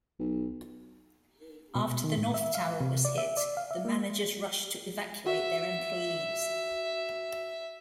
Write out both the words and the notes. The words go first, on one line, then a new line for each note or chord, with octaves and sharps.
After the North Tower was hit, the managers rushed to evacuate their employees.
B1
B2
D#3
A2
E5
F5
C3
D5
E5
D5
F5
E5
A#3
F#4 E5